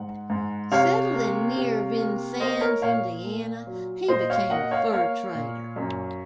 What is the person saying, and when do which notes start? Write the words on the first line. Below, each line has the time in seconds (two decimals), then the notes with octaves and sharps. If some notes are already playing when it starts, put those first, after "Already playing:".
Settling near Vincennes, Indiana, he became a fur trader.
Already playing: G#2 F#5
0.30 G#2
0.72 C3 C#5 F5
1.14 A#3
1.56 C3
1.98 A#3
2.40 A#3 C5 D#5
2.61 A#4 C#5
2.82 A#2 C#5 F5
3.25 A#3
3.67 F#3
4.08 A#2 C5 D#5
4.30 C#5 F5
4.50 A#3 D#5 F#5
4.71 C#5 F5
4.93 A#3 C#5 F5
5.35 A#2
5.76 F#2